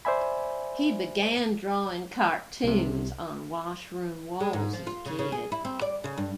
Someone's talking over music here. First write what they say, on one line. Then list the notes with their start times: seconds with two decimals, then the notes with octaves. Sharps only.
He began drawing cartoons on washroom walls as a kid.
0.05 C5 D5 E5 G#5 B5
2.64 C2 C3
4.40 G#3
4.53 G#2
4.73 F3
4.87 F4
5.05 C#3
5.19 C#3
5.32 G#4
5.52 E4
5.65 C4
5.81 D5
6.04 C#3
6.18 G2